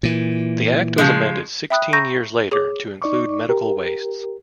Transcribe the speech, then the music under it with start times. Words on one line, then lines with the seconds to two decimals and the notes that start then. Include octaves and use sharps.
The Act was amended sixteen years later to include medical wastes.
0.03 A#2 E3
0.98 C#3 F3 G#3
1.70 E5 G5 B5 D#6 F#6
1.93 A#5 B5 C#6 E6 G6 A#6
2.51 G#4 C#5 D6
3.02 D#4 D5 C#6 D6
3.49 G4 A#4